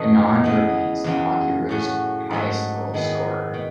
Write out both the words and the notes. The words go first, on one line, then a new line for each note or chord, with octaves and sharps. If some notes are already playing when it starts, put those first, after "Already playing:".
Annan remains the Hockeyroos highest goal scorer.
Already playing: E2 B2 A3 C#4 D#4 G#4
E2 C#3 E3 G#3 B3
E2 C#3 F#3
A2 F#3 C#4 F#4
G#2 F#3 A3 E4
D#3 G#3 B3 E4
B2